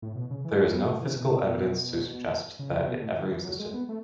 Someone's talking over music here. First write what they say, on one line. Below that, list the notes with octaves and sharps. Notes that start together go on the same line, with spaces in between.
There is no physical evidence to suggest that it ever existed.
A2
B2
C#3
E3
G#3
B3
A3
E3
B2
B2
B2
C#3
B2
A2
D3
E3
F#3
G#3
B3
A3